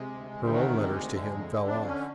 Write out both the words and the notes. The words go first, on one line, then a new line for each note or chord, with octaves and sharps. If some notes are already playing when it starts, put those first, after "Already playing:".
Her own letters to him fell off.
Already playing: C3 G#3
D2
D2
G3
D#3 F#3
C3 A3
G#3
D2
D3
F2
D3
F2 D4
D3 C#4